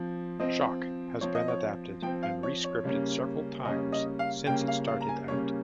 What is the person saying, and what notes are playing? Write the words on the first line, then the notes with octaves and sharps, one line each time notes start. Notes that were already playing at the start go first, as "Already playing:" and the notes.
"Shock" has been adapted and re-scripted several times since it started out.
Already playing: F3 C4
F3 C4 D#5
F3 C4 C#5
D#5
C#5
F3 C4 G5
F5
C#5
C#5
C#3 G3 A#3 C#4
C#3 G3 A#3 C#4 D#5
D#5
F5
C#3 G3 A#3 C#4 G5
F5
F5
A#5
G#5
C#3 G3 A#3 C#4 C#5